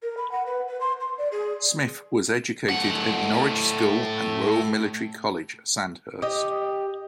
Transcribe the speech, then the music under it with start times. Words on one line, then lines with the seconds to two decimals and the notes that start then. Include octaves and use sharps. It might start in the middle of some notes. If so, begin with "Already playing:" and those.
Smith was educated at Norwich School and Royal Military College, Sandhurst.
0.03 A#4
0.17 B5
0.32 F#5
0.46 B4
0.68 B4
0.81 C6
1.01 C6
1.18 D5
1.32 G#4
2.69 A2 F#5
6.22 G4 D#5